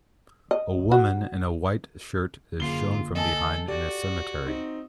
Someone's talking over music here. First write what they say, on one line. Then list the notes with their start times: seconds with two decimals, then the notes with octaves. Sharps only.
A woman in a white shirt is shown from behind in a cemetery.
0.51 D#5
0.92 F#4
2.60 F#1 D3 A#3 F4 C7 G7
3.15 A4 D#5 G#5 A5
3.68 F#4 G4 D5
4.46 C4 D#4